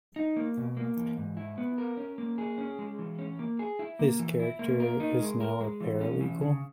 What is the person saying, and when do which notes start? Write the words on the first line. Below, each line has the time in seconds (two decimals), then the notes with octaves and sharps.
His character is now a paralegal.
0.16 D#4
0.36 A#3
0.57 B2
0.77 A#3
0.97 E3
1.17 G#2
1.37 E4
1.58 B3
1.78 A#4
1.97 C#4
2.18 A#3
2.38 G#4
2.58 C#4
2.79 G#3
2.99 E3
3.19 C#4
3.39 A#3
3.59 G#4
3.79 E4
3.99 A#3
4.19 E3
4.40 E4
4.59 A#3
4.80 A#4
5.00 D#4
5.20 G#3
5.40 A#4
5.60 G#3
5.80 E3
6.01 C#4
6.21 E3
6.41 C#3